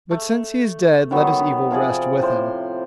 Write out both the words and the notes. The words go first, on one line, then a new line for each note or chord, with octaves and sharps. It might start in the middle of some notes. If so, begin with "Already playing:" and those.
But since he is dead let his evil rest with him.
A3
D#3 F#3 B3
C3 F3 G#4 D5
A2 C5 C6